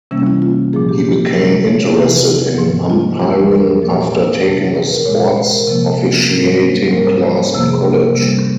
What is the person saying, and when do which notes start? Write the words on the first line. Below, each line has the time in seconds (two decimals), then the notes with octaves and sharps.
He became interested in umpiring after taking a sports officiating class in college.
0.11 C3 E3 G3 A#3 C#4
0.27 E4
0.42 F4
0.73 A#2 F3 A#3 G#4
0.89 G4
1.04 G4
1.35 C3 F3 G#3 G#4
1.66 C#5
1.82 G#4
1.97 F2 C3 E3 G4
2.58 G#2 F3 A#3
2.90 F4
3.21 E2 E3 G#3 G4
3.51 A#4
3.66 G#4
3.82 A#2 F3 A#3 G4
4.44 F2 C3 E3
4.75 G#4
4.90 A#4
5.05 A#2 G#3 C#5
5.37 C5
5.52 A#4
5.68 C3 F3 A#3
5.99 G#4
6.29 G#2 G3 A#3 A#4
6.45 C5
6.60 C5
6.91 G#2 G3 A#3 A#4
7.06 C5
7.23 C#5
7.38 C5
7.53 F2 C3 F3 A#3 C5
7.69 G#4
7.84 A#4
8.05 C5
8.15 C3 G3 A#3